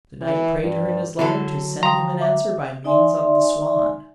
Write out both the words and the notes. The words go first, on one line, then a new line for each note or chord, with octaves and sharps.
The knight prayed her in his letter to send him an answer by means of the swan.
E3
G2
D3 F#3 E4 A4
F5 G5 A#5 C6 D#6
E5 D6
D#4 D5 E5 G#5 C6